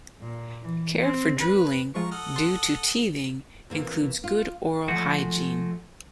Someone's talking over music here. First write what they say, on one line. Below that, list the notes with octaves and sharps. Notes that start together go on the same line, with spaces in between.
Care for drooling due to teething includes good oral hygiene.
A#2
E3
C4
B4
F3 G#3 F4 A#5 C#6
A4 D#5 F#5 F6
C6 F#6 A6
C3 E3 A#3
F4
F3 G#3 A3 F#4